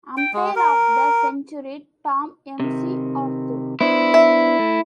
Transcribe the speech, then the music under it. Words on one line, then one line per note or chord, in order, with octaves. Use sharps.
Umpire of the Century: Tom McArthur.
G5
G#3
A#4
C3 D#3
B3 D4 E4 C5
E5
A3